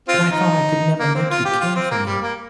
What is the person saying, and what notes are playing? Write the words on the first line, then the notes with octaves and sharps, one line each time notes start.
But I thought I could never make you care for me.
C4 F4
D#4
A#3
C4
F4
G4
F4
C4
A#3
G3
A#3